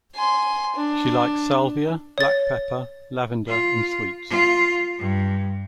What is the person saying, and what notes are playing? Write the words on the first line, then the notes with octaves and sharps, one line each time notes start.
She likes Salvia, black pepper, lavender and sweets.
G#5 C6
D4
C#5 A6
F4
F4
G2